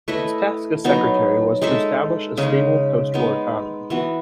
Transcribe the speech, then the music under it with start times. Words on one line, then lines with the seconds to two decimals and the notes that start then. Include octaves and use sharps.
His task as Secretary was to establish a stable postwar economy.
0.08 A3 E4 B4 D#5
0.84 F#3 B3 D#4
1.62 G#3 D#4 A4 E5
2.37 C#3 G#3 D#4
3.14 G#3 B3 D#4
3.90 E3 B3 F#4